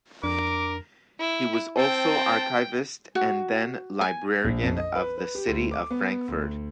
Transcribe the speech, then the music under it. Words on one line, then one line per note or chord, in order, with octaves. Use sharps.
He was also archivist and then librarian of the city of Frankfurt.
F2 D4 A#4 D6
E4
C4 G5 A5
F#4
G#5
A#1
F2
D#5
B4
B4
G4
D2
D6
B3
D2